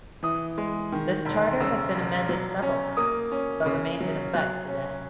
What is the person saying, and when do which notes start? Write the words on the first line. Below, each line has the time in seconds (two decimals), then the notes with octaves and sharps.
This charter has been amended several times, but remains in effect today.
0.23 E3 D#6
0.58 G#3
0.92 D#3
1.25 E1
1.60 C#3 E6
1.95 E1
2.29 F#3
2.62 C#4
2.97 A#3 D#6
3.32 C#4
3.66 C#3
4.00 F#3
4.34 F#3 F#6
4.68 C#4